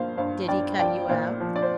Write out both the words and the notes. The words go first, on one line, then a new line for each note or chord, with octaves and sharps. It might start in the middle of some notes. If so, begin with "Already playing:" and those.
'Did he cut you out?'
Already playing: G2 F3 A#3 C5 F5
G2 C5 F5
G2 D5 G5
F3 D5 G5
A#2 C5 F5
F3
D5
C5